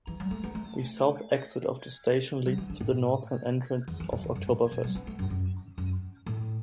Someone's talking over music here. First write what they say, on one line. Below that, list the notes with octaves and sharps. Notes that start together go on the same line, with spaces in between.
The south exit of the station leads to the northern entrance of Oktoberfest.
E3
F#3
A3
B3
A3
F#3
E3
D3
A2
E2
E2
F#2
E2
F#2
A2
B2
F#3
B3
A3
F#2
F#2
F#2
A2